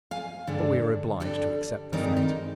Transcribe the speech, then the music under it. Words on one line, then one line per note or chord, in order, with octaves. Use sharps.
But we are obliged to accept the fact.
F5 G#5
G2 D3 G#3 D4
G2 D3 G3 D4
G2 D#3 G#3 C4 D#4 A#4 D5
D#4 G4